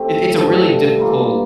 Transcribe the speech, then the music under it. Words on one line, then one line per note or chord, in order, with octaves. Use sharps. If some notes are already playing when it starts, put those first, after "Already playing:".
it it's a really difficult
Already playing: A3 C4 G4
G2 D3 F3
E3 A#3 F4